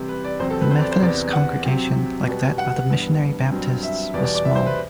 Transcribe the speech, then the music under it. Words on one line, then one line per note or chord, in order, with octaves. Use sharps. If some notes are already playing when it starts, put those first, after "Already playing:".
The Methodist congregation, like that of the Missionary Baptists, was small.
Already playing: C3 E3 G3 C4
B4
D5
E2 C3 F#3 C4 C5
A4
B4
C5
D5
C5
E2 C3 E3 B3 D5
F#5
C3 F#3 C4
B2 G3 B3
F#5
G2 E3 B3
G2 F#3 C4
E5
E2 B2 G3 B3 D5
D5
D5
E5
C5
B4